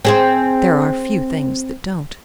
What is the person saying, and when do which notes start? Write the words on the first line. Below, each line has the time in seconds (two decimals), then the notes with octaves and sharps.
There are few things that don't.
0.05 C4 G#4 C5